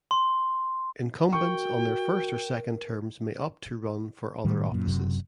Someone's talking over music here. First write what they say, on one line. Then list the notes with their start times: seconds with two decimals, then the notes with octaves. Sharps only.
Incumbents on their first or second terms may opt to run for other offices.
0.11 C6
1.33 F#4 A#4 G5 C#6
4.44 A2 D#3 G3
4.71 F#2 A#2
4.87 F#1 F#2 C3 F#3